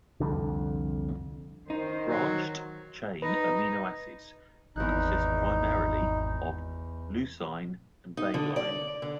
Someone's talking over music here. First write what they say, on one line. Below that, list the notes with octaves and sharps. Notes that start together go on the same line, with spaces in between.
Branched-chain amino acids consist primarily of leucine and valine.
C2 F2 D3
D#3 D#4 C5
F#3
D#4 B4
G#1 E2 D#4 F#6
D#4
D3
D5
D3